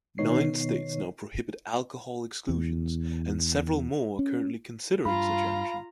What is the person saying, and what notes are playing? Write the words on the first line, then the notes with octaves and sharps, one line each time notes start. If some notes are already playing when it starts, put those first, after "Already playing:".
Nine states now prohibit alcohol exclusions and several more are currently considering such action.
B2 D#3 B3 D#4 C#5 C7
E2
C#4
G2 F4 F5 A#5 B5